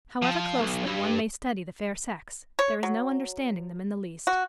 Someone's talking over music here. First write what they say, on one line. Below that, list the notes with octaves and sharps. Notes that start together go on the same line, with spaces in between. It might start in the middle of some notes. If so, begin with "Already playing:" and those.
However closely one may study the fair sex, there is no understanding them in the least.
F3
B1
G2
C#5
F#3
F#4